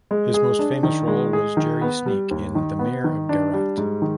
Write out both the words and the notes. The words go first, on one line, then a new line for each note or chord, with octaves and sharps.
His most famous role was Jerry Sneak in "The Mayor of Garratt".
G#3
G#4
D4
D#3
G#3
G#4
D#3
B3
G3
D#2
D#3
B3
D#3
D4
G3
G#2
D#3